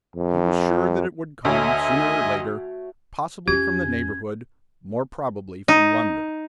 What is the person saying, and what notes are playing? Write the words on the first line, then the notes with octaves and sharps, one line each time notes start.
He was sure that it would come sooner or later, possibly from the neighbourhood, more probably from London.
F2
D2 A3 F#4 C#5 D#5 E5 G#5
F2 C#4 G4 G#6
D#4